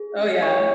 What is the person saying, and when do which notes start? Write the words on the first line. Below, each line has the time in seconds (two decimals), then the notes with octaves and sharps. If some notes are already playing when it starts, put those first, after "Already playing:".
Oh, yeah,
Already playing: G#4
0.18 C#4
0.42 E4 C#5 C#6